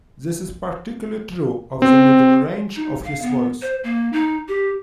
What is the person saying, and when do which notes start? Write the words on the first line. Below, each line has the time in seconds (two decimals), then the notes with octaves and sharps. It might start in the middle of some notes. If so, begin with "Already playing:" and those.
This is particularly true of the middle range of his voice.
1.82 C4
2.76 D#4
3.05 F5
3.22 B3
3.62 C5
3.84 A#3
4.13 D#4
4.48 G4